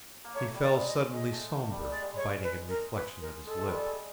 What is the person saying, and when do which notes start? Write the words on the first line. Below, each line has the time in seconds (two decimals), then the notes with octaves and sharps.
He fell suddenly sombre, biting in reflection at his lip.
0.24 A#3
0.35 A3 C#5
0.54 G3
0.61 D5
0.68 G3
0.74 G#3
0.87 D#5
1.13 G#3 D#5
1.32 A3
1.52 A3
1.71 G3
1.91 G#3 D5
2.01 G3
2.13 G#3 C#5
2.43 B4
2.69 A#4
2.95 B4
3.21 A#4
3.46 G#3 A4
3.58 G#3
3.66 G3
3.85 G#3